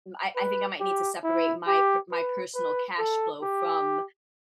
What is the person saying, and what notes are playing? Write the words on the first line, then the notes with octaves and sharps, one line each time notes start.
I I think I might need to separate my p my personal cash flow from
B4
G4
E4
G4
B4
B4
A4
G4